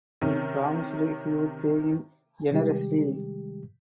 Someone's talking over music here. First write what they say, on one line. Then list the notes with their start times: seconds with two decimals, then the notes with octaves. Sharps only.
He promised he would pay him generously.
0.21 C3 D#3 C#4
2.52 C3 D#3 G3 G#3 G4